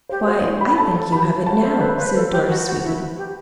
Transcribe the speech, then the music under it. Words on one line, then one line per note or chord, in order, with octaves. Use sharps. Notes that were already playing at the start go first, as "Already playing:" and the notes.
"Why, I think you have it now," said Doris, sweetly.
G4 C5
F#4 C5
E4
G4 B5
B5
A4 A5
A4
G4 B5
F#4
F#4 A5
A4 C5
A4 B4
B4 C5
A4
G4
F#4
F#4
E4
F#4
G4